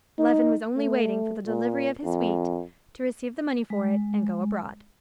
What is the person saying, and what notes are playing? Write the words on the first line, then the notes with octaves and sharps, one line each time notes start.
Levin was only waiting for the delivery of his wheat to receive the money for it and go abroad.
D#4
A3
A#2
F2
G#3